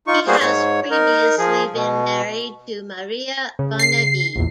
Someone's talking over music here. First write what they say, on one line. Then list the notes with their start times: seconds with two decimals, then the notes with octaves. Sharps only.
He has previously been married to Maria Bonnevie.
0.07 D#4 F4 C#6
0.27 G3 A#3 B3 F#4 G#4 C5
0.40 G#2 C#5
0.91 D#4 A#4
1.38 F3 G#4
1.74 B2
3.59 C#3
3.79 C7
4.36 A#1 E2